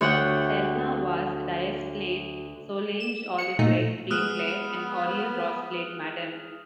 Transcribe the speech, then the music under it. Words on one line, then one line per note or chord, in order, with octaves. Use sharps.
Selma Vaz Dias played Solange, Olive Gregg played Claire, and Oriel Ross played Madame.
D2 F#4 C#5 F#5 G5
E7
C#7
A#2 A3 D#4
G#3 B3 D#6 F6 F#6